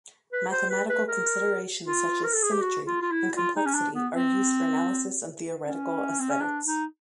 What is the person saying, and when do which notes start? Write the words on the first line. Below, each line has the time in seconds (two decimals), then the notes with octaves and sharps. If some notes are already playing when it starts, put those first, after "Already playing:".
Mathematical considerations, such as symmetry and complexity, are used for analysis in theoretical aesthetics.
0.33 B4
0.51 C5
0.70 B4
0.89 B4
1.08 A#4
1.84 F4
2.24 A#4
2.33 A4
2.43 G#4
2.51 G4
2.61 F#4
2.86 F4
3.02 F4
3.11 E4
3.37 F4
3.56 D#4
3.66 C#4
3.74 D4
3.94 B3
4.12 C4
5.65 C#4
6.19 C4
6.30 C#4
6.41 D4
6.66 D#4